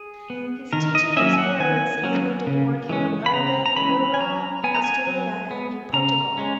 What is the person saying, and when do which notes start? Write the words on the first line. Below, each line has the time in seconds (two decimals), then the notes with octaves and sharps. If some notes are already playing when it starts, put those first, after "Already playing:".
His teaching experience included working in urban, rural Australia and in Portugal.
Already playing: G#4
0.30 B3
0.73 D#3 A#4
0.95 D#5
1.17 F#3 A#3 C#4 E5
1.33 G#5
1.38 F#5
1.60 D#3 G#5
2.04 F#3 A#3 C#4
2.47 C#3
2.89 E3 G#3 C#4
3.26 B5
3.33 C#3 A#5
3.66 A#5
3.76 E3 G#3 C#4 B5
4.14 G#5
4.20 F#3 A#5
4.64 B3 G#5
4.75 A#5
4.84 G#5
5.07 F#3
5.51 B3
5.93 C#3 A#5
6.38 G#3 C#4